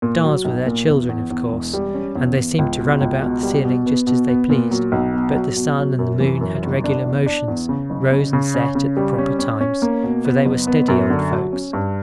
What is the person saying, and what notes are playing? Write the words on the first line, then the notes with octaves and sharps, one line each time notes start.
The stars were their children, of course, and they seemed to run about the ceiling just as they pleased; but the sun and the moon had regular motions--rose and set at the proper times, for they were steady old folks.
A#2
F#3
B1
A#2
E2
E2
E2
E1
G3
C#4
E2
E2
C#2
B2
C#2
B2
G3
B2
B3
B2
B3
A#2
F#3
B1
B2
F#3
B2
F#3
F#2
E3
F#2
G1
D4
E2
D4
E2
C#3
F#1
C#3
C#3
C#4
C#3
G3
C#4
C#4
C#4
A#3
B2
B3
F#1
B3
F#2
D3
F#3
C#4
G2